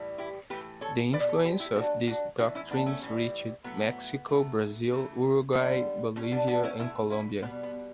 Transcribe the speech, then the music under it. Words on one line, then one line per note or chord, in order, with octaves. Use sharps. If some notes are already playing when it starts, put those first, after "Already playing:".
The influence of these doctrines reached Mexico, Brazil, Uruguay, Bolivia and Colombia.
Already playing: A2 E3 G3
E4 G4
A2 E3 A3 G4 B4
A4 C#5
B2 G3 B4 D5
A4 C#5
G4 B4
E4 G4
B2 F#3 A3 D4 F#4
D4 F#4
A2 E3 A3 D4 F#4
C#4 E4
B3 D4
A3 C#4
A2 E3 G3
A2 F#3 A3 B3
B2 F#3 A3
C#3 E3 A3
D3 G3 B3
B2 G3 A3 C#4
B3 D4
B3 D4
C#4 E4
B2 A3 C#4 E4
C#4 E4
B2 G3 B3 D4
B3